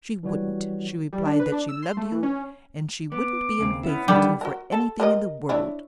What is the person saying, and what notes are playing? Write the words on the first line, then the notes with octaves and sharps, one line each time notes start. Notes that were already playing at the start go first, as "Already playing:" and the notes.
She wouldn't; she replied that she loved you, and she wouldn't be unfaithful to you for anything in the world.
E3 G3 F#4 C#5
G3
D4
B4
D4
E6
C6
A3
E3
C#4
B3 D6
D#2 C#3 C4
B3 C#4 E4
D3 D#3 G3 D4
F#4 A#4
A4
G4 A#4 D#5
D4 E4 C#5